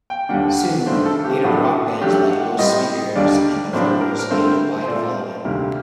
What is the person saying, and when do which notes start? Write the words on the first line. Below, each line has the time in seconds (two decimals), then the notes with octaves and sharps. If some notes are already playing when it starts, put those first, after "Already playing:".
Soon, native rock bands like Los Speakers and The Flippers gained a wide following.
0.10 G5
0.29 D#2 D3 G3 A#3 D4 F#5
0.58 F#5
0.86 G2 D#3 A3 D4 C5
1.05 A4
1.25 G4
1.44 A2 F#3 A3 D4 F#4
2.01 F#2 F#3 A3 D4 G4
2.30 F#5
2.58 A2 G3 C4 D#5
3.15 D#2 D3 G3 A#3 D4 D5
3.73 A2 F#3 A#3 D4 C5
4.01 A#4
4.19 A#4
4.30 G2 D3 A3 C4 C5
4.82 C5
4.88 A#2 A3 C4 D5
5.45 D2 C3 D#3 G3 A#3